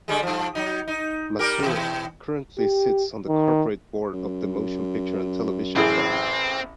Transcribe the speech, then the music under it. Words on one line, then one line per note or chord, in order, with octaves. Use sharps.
Masur currently sits on the Corporate Board of the Motion Picture and Television Fund.
D3 G3 G#3
G2 F3
F#3 D#4
D#4
G3 G4 A#4
B2 E3
G4
D#3
F#2
A1 E3 C4 G#4